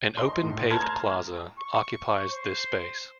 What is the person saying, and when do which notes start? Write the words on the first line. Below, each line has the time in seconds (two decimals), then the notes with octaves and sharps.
An open paved plaza occupies this space.
0.17 D#5 C6
0.43 A2
0.70 A5 A#5 C6 F6 G#6
1.59 C#6
2.29 C5